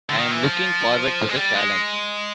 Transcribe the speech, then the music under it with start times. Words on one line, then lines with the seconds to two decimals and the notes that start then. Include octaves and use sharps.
I am looking forward to the challenge.
0.09 D3
0.17 D#3
0.31 E3
0.43 F3
1.29 G#3
1.36 G3
1.55 G#3